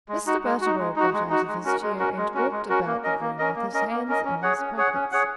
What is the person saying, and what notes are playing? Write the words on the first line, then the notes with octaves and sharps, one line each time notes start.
Mr. Butterwell got out of his chair, and walked about the room with his hands in his pockets.
G#3
D#4 F#4
G#3
D#4 F#4
G#3
D#4 F#4
G#3
D#4 F#4
G#3
C#4 F#4 A#4
G#3
C#4 F#4 A#4
G#3
C#4 F#4 A#4
G#3
C#4 F#4 A#4
A#3
C#4 A#4 D#5
A#3
C#4 A#4 D#5
A#3
C#4 A#4 D#5
A#3
C#4 A#4 D#5
C#4
G#4 C#5 F#5
C#4
G#4 C#5 F#5
C#4
G#4 C#5 F#5